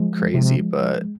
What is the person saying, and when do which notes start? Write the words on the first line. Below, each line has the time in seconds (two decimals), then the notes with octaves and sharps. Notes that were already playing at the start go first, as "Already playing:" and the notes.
crazy, but
Already playing: F3 G#3
0.34 C3